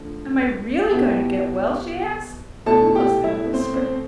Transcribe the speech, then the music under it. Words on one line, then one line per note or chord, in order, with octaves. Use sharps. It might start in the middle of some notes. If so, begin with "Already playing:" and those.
"Am I really going to get well?" she asked, almost in a whisper.
Already playing: D3 F3 A3
B2 B3 E4 G4 G5
B2 A3 E4 A4 A5
G4 G5
E4 E5
C4 C5
C4 C5